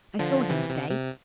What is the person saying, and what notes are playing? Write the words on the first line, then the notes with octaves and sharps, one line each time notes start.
"I saw him to-day."
D3 F3
C3 E3
C3
C3